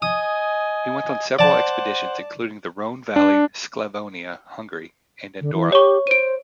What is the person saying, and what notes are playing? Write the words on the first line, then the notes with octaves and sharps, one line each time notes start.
He went on several expeditions including the Rhone Valley, Sclavonia, Hungary and Andorra.
D#5 G#5 D#6
C5 D5 F#5 A5
D4
D3
E3
G4 C#5 C#6
C5 D7 D#7